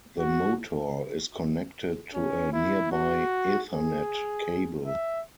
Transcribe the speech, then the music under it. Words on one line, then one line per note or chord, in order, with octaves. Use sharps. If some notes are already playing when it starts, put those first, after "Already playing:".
The motor is connected to a nearby Ethernet cable.
F#4
C#4
E4
F#4
G#4
E5